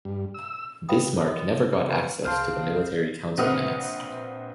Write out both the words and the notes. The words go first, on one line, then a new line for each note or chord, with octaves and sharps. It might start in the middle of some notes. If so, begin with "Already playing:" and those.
Bismarck never got access to the Military Council minutes.
G2
E6
B4 F5 G5 B5 D#6
F#4 A4 D#5
F#4 G4 B4 F5 G#5
C2 G#4 F5 A5 C6 F6 G6
A#1 C4 B4 F#5 D#6 F6